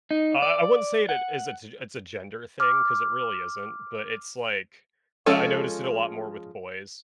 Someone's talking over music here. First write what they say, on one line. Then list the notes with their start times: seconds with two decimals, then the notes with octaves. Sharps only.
uh, I wouldn't say it it is a t it's a gender thing 'cause it really isn't, but it's like, I I noticed it a lot more with boys,
0.11 D#4
0.42 D5
1.09 F#5
2.60 D6 F6
5.26 F3 G#3 C#4 A4